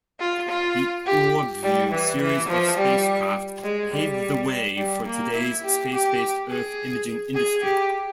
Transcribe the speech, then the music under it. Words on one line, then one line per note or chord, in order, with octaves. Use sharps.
The OrbView series of spacecraft paved the way for today's space-based Earth imaging industry.
F4
F4
G4
G3
E3
E3
F3
G3
G#3
G3
G3
A#3
E4
G4
G4
G#4
G#4
G4